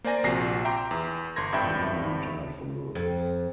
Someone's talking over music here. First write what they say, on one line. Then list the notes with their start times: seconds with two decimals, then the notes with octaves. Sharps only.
He then retired for good.
0.04 A#3 C5 D5 G#5 A#6
0.24 A#1 C3 F#4 A#6 C7
0.65 E5 G5 A#5 C6 D6
0.91 E2
1.36 G1 C6 G#6 A#6
1.52 G#1 G2 E5 G5 B5 G6
2.95 F2